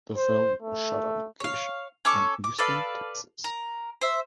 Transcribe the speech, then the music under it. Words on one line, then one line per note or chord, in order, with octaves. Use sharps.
The film was shot on location in Houston, Texas.
C5
A3
C#5 F5
C#4 A4 C#6 D6
D6
A4 B4 D5 F5
A#4
C5 E5